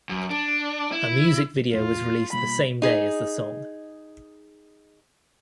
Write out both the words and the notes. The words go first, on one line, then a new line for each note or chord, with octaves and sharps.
A music video was released the same day as the song.
F#2
D4
E4
E2 A#2 A3 F4
B2 G3 A#3 B5
D#4 G#4